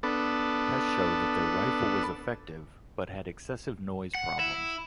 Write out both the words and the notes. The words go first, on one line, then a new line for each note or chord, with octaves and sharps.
Tests showed that their rifle was effective, but had excessive noise problems.
B3 D4 A4
F#5
E4